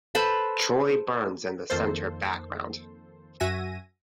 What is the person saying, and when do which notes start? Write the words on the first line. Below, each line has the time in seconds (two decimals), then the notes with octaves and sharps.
Troy burns in the centre background.
0.15 A4 B4 C5 B5
1.70 F2 D#3 A#3 A4 C5
3.40 F#2 F#4 E5 G#5 A#6 D#7